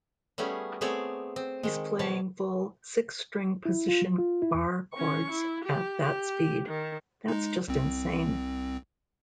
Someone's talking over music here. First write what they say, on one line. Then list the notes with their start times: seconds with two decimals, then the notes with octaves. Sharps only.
He's playing full, six-string-position barre chords at that speed-- that's just insane.
0.38 G3 A3 B3 C#4 G#4
0.81 A3 B3 C4 G#4 C#5 D5
1.36 C4
1.63 D#3 G#3
1.99 B2 F3 C#5 A5
3.65 E4
3.88 F4
4.02 F#3
4.18 F4
4.42 E4
4.54 E2
4.95 C#4 C#6
5.30 E4
5.64 G4
6.02 G4
6.68 D#3
7.28 G#3 D#4
7.68 C2 C4